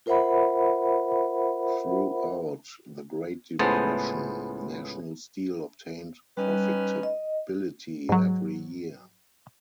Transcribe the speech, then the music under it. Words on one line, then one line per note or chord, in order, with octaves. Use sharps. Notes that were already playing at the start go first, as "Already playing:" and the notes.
Throughout the Great Depression, National Steel obtained profitability every year.
F4 A#4 C5 E5 F#5 B5
C#2 A2 B3 G#4 C5 A5
G3 C#4 D#4 B4
D#5
G#2 F#3